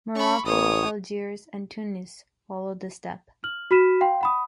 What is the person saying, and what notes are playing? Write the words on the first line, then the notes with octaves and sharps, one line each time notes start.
Morocco, Algiers and Tunis followed this step.
C#4 B5 C#6
A1 C#5 D#6
F6 F#7
F#4 B5 F6 B6 D#7 E7
F5 G5 C6
F#5 B5 D#6